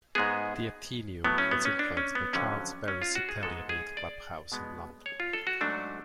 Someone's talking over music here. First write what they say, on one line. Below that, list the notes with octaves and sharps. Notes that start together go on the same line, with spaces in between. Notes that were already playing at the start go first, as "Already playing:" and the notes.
The Athenaeum was influenced by Charles Barry's Italianate club house in London.
G#2 G#3 B3 G#4
A2 F#3 A3 B3
C#4
B3
C#4
D4
C#4
B3
F2 D3 F#3 C#4
C#4
F4
F#4
G#4
G#2 G#3 B3 A4
G#4
D5
B2 G#3 B3
C#5
F4
A4
F#4
G#2 F#3 A3 D4